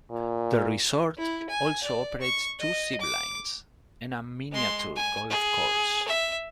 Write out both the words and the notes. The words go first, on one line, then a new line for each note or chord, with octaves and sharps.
The resort also operates two zip lines and a miniature golf course.
A#2
E4
G#5
D5
C#6
D#5
D6
G#3 C6
G#5
G#4
E5